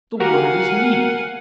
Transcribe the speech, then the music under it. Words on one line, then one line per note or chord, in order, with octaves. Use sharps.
The word is needed.
F#4 G4 A#4 F5 F#5 G#5